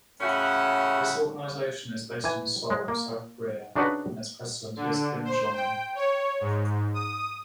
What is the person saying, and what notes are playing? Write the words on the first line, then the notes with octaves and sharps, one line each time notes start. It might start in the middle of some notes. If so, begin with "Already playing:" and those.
This organization is based in Seoul, South Korea and its president is Kim, Jong-Yun.
A2 C#3 C#4 F#4 E5 F#5
E3 G#5
G#3
A#3
C#3 D4 D#4 F#4 B4
D3
C5
G5
C#5
G#2
D#6